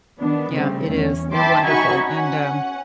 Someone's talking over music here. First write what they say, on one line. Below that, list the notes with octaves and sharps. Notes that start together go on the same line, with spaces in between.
Yeah. It is. They're wonderful, and, um,
D#3 B3 D4
C#3 G3 A3 C4
E2 C#4
E5 G5 A5 B5 C6 D6
D#4 F#4 E5 G#5 B5 C#6
C#4 F#5